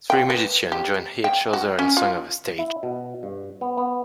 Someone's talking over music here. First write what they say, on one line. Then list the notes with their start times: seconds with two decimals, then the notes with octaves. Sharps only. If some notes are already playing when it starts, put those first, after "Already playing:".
Three musicians join each other in song on a stage.
0.10 G5
0.30 B4
0.72 G4
1.24 G5
1.53 F#4
1.79 C#4
1.97 F4
2.58 E4
2.83 B2
3.23 G2
3.61 B3
3.78 B3